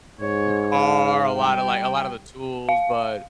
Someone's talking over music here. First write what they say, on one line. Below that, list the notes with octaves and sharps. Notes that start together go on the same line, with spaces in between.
the car, a lotta like a lotta the tools, but,
G#2 C#5
F5
G3 G5
F5